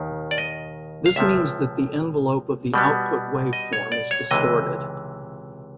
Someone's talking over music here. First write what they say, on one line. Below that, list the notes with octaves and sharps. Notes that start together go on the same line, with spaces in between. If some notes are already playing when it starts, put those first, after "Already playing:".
This means that the envelope of the output waveform is distorted.
Already playing: D#2 D#3
D5
D#5
F5
C#2 C3 F3 E5
B2 G3 B3
D#5
C#5
D5
C#5
C#2 C3 E3 D#5